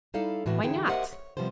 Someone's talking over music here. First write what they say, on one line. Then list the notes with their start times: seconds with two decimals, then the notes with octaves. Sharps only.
"Why not?"
0.14 G3 D#4 E4 A4 D5 F5
0.46 A2 E3 B3 F#4
0.63 D3 E3 D#4 E4 G#4 G5
0.87 G4 A#4 C5 D#5 E5 F#5
1.13 C#5
1.37 C3 F3 G3 B3 C5